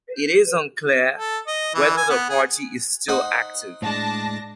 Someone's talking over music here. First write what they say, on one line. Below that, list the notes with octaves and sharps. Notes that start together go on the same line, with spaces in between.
It is unclear whether the party is still active.
A4
D#5
E3
G#5
B3
G#4
D#4 C5 F#5
A2 G#3 D4 A5 A#6